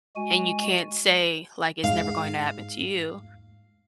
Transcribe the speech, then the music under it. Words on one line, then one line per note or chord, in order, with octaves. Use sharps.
and you can't say, like, "It's never going to happen to you,"
G#3 F#4 G#5
G#2 F5